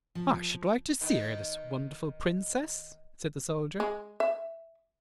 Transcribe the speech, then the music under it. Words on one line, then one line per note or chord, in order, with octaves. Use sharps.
"I should like to see her, this wonderful Princess," said the soldier.
F3
D#3 B3 D#4
G#3
E5